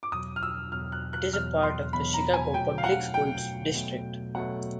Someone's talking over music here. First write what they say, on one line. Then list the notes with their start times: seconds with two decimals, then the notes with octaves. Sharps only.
It is a part of the Chicago Public Schools district.
0.03 D6
0.12 E2 B2 F#3 D#6
0.36 F6
0.43 E6
0.72 E2 B2 F#3 F6
0.92 F#6
1.13 F#6
1.33 E2 B2 F#3 F6
1.63 C6
1.93 E2 B2 F#3 B5
2.14 A#5
2.34 G#5
2.53 B2 F#3 A3 G5
2.78 F5
2.84 F#5
3.14 B2 F#3 A3 G5
3.74 B2 F#3 A3
4.35 B2 F#3 A3 F#5